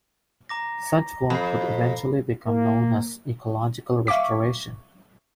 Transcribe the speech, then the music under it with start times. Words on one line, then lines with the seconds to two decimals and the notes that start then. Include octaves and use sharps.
Such work would eventually become known as ecological restoration.
0.49 A#5 D6 A#6
1.30 F2 B5 C7
2.48 A#3
4.07 E5 F5 C#6 D6 B6